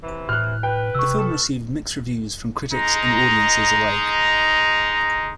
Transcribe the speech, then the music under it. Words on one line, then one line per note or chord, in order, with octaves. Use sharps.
The film received mixed reviews from critics and audiences alike.
C3 E3
A2 F6 F#6
B4 G5
C3 C#6 E6
A2 B3 A4
G#3 D#4 A#5